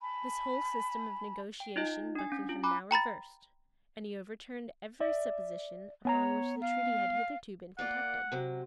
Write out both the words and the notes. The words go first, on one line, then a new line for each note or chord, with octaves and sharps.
This whole system of negotiation Buckingham now reversed; and he overturned every supposition upon which the treaty had hitherto been conducted.
G#5 A5 B5
G5 D7
D#4 F4 D#5
D4 G#5
C#4 A#6
F4
G#5 A#5 B5 D6 F#6
G5 A#5 B5 A6
D5 E5
B3 C#5 G#5 A#5
F5
A#3 F4 D5 F#5
C3 F#3